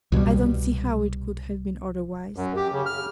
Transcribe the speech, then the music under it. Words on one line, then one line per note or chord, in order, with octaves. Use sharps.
I don't see how it could have been otherwise.
C2 B2 E3 G3
F#2
G4
C#3
F6